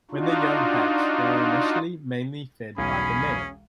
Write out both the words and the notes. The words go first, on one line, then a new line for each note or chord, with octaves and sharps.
When the young hatch they are initially mainly fed by the male.
D4 D#4 F4 F#4
E1 B1 C#4 G#4 B5